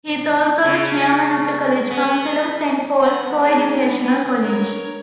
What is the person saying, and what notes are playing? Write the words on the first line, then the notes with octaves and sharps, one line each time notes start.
He is also the Chairman of the College Council of Saint Paul's Co-educational College.
C#3
B3
B3 F#5
C#4 D#4 G#4 C#5 D5
B3 D4
A#4 C#5